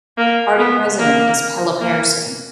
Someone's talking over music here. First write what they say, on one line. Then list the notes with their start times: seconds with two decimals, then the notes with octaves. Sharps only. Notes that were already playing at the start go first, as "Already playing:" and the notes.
Party president is Pelle Persson.
0.18 A#3
0.58 B3
0.99 A#3
1.81 A#3